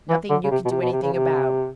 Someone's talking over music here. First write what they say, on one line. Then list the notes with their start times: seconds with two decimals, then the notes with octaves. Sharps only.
Nothing you can do anything about.
0.09 E3
0.30 D3
0.44 C#3
0.51 C3
0.65 B2
0.70 C3
0.81 B2
0.92 C3
1.02 C#3
1.13 C3